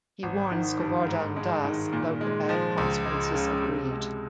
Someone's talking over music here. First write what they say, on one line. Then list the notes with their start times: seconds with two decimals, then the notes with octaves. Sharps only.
He warns Govardhan Das about the bad consequences of greed.
0.23 G#1
0.52 D#3
0.80 G2
1.08 G#2
1.36 G#3
1.65 D#3
1.93 A#2
2.21 G#3
2.49 F3
2.78 C#2
3.06 G#3
3.34 C#3
3.62 C3
3.91 G#3